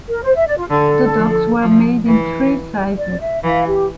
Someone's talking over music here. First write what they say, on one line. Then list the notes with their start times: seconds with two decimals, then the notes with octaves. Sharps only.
The dogs were made in three sizes.
0.09 A#4
0.24 C5
0.35 E5
0.46 D5
0.58 F4
0.69 D3 A4
1.16 F3
1.61 F3
2.07 E3
2.97 D5
3.21 E5
3.43 E3 F5
3.67 G4